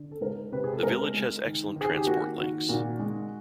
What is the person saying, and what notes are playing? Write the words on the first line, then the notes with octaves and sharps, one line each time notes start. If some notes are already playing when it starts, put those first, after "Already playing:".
The village has excellent transport links.
Already playing: D3
A4
G#3 A#4
C3 B4
G#4
A4
G#3 A#4
G#3
D#3
D#3 G#4
G4
A#3 F#4
D#3 F#4
A#2 F#4
G#3